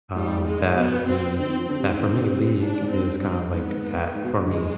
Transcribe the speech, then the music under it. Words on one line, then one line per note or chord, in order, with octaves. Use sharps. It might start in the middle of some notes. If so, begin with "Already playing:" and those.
um, that the that for me, League is kinda like a path for me,
G#2 G3
G#3
G2
G#2
B2 B3
C4
D3 C4
D#3
F3
D3 C4
C3
G#2
D#3
D3
C3
G#2 D4
G#2
G2 C4
C4
G#2 B3
G#2
B2
D3 G#3
D#3